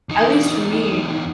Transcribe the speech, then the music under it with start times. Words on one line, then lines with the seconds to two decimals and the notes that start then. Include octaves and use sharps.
at least for me,
0.09 E2 D#4